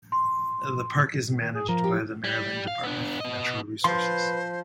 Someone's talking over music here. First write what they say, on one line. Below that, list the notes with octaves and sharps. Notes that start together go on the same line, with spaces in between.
The park is managed by the Maryland Department of Natural Resources.
C6
D#3
G#4
F3 A#4
G4
G3
F5
B3 D4
B3 D#5
F3 B4 C5 C6